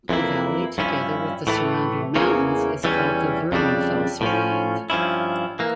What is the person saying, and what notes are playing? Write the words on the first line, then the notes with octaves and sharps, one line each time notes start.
The valley together with the surrounding mountains is called the Werdenfelser Land.
F2 E3 A#3 E4
G2 F3 C#4 E4
A2 E3 A3
E2 C#3 E3 A#3 C#4
E2 E3 G3 C#4
F2 C#3 G3 D4
A2 F3 C#4
G2 F3 C#4 E4
E3 A#3